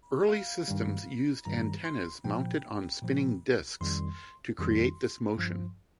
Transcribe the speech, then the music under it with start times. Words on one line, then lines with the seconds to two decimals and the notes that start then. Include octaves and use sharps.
Early systems used antennas mounted on spinning disks to create this motion.
0.29 F5
0.68 G2 D#3 G3
1.45 G2 D#3 G3 A#5
1.85 C6
2.24 A#2 F3 G5
3.02 A#2 F3
3.81 F2 D#3 G3 C6
4.58 F2 D#3 G3 C6
5.37 G2 F3